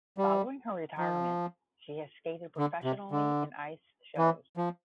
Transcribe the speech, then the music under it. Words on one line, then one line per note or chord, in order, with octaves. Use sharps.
Following her retirement, she has skated professionally in ice shows.
G3
F3
D3
C3
D3
E3
F3